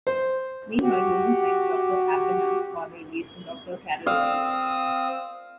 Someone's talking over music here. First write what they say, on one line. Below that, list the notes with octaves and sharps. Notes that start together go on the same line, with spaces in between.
Meanwhile, Logan finds Doctor Abraham Cornelius and Doctor Carol Hines.
C5
F#4 G4
C4 F5 D#6 E6